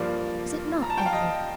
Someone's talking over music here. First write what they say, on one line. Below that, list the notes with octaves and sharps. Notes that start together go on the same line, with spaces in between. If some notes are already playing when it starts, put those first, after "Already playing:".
"Is it not, Edward?"
Already playing: G2 F3 A#3 D5
A#5
A5
G5
F5
D#5